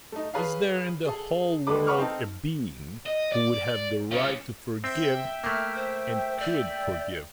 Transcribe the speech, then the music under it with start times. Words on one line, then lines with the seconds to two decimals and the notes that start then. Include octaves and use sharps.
Is there in the whole world a being who would have the right to forgive and could forgive?
0.12 A3 D#4
0.34 G#4 B4 C#5 F5
1.06 G#4 A4
1.67 D#2 G#3 B4 D6
1.87 F#4 B4 B5 C#6 D6 F6
1.98 C4 D#4 A4
3.06 D#5
3.32 D5
4.11 C#4 F4
4.84 C4 E5 G5
5.44 A3 A#3 F6
5.75 C5
6.40 D5